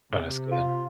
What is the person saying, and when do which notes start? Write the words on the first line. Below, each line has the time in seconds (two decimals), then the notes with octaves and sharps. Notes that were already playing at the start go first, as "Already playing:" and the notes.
Oh, that's good.
0.12 C3
0.52 F4